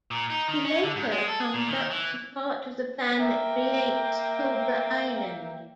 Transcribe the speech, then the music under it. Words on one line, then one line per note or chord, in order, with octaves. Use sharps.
He later comes up with part of the plan that creatres Cobra Island.
A#2
D#4
D#3
C#4
D3
G#2
G#3
A4
G#4
A#2
D#3
E3
A#3 E5 G5